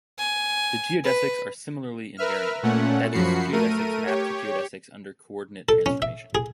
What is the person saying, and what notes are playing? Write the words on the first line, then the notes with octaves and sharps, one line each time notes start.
The geodesics are similarly invariant: that is, geodesics map to geodesics under coordinate transformation.
G#5
B4
A#4 B4 E5 F6
A#2 A3 C#4 F#5
F#2 F3 F#4 B5 C7 C#7
A3 A#4 D#7
G4 C#5
A4
C#4
E5
G#4